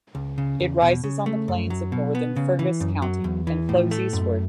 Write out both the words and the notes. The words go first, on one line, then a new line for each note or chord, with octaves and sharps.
It rises on the plains of northern Fergus County and flows eastward.
C#2
C#3
E2
B2
C#3
A3
F#2
F#3
B2
B3
C#3
E3
F#2
F#3
E2
E3
A2
A3
F#2